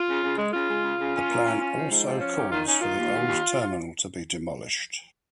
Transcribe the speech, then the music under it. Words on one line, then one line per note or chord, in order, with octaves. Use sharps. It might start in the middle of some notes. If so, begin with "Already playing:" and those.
The plan also calls for the old terminal to be demolished.
Already playing: F4
C#3
C#3
G#3
C#3 F4
G#3
C#3
C#3
C#4
A#3
C#4
C#4
F3
G#2
F3
C#4
D#3 G4
D#3 F4
C#4 D#4
D#3 F4
D#2
D#2
D#2